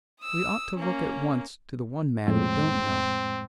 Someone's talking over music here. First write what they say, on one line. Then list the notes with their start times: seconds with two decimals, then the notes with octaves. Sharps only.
We ought to look at once to the one man we don't know.
0.20 D#6 E6
0.75 A#3 C#4
2.28 F2 A2 G#3 C4